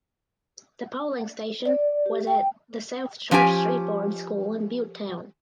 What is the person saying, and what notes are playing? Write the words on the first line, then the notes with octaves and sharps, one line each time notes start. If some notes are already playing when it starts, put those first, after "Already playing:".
The polling station was at the South Church Street Boards School in Butetown.
D5
G4
G5
F3 C#4 D4 G4 G#5